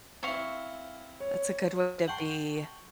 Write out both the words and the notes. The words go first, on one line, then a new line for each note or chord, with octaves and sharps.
that's a good way to be,
C4 E4 F5 C#6
C#5
F#5 G5 A5 C6 C#6 G6